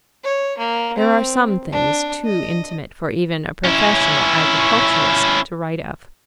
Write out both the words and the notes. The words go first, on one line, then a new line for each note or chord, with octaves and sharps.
There are some things too intimate for even a professional agriculturist to write of.
C#5
A#3
C4
D4
D#5
C#4 E4